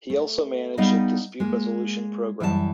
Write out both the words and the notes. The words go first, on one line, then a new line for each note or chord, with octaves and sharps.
He also managed a dispute resolution program.
A3
G3 B3 D#4 G#4 D#5 F5
G#3 A#3
F#2 E3 G3 G4 A5